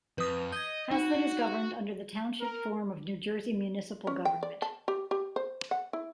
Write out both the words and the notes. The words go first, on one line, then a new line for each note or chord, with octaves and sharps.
Hazlet is governed under the Township form of New Jersey municipal government.
F2 B4 D#6
D#5 G6 G#6
D#4 F#4
A#4
C#4
G5
D5
A5
G4
G4
C5
F#5
E4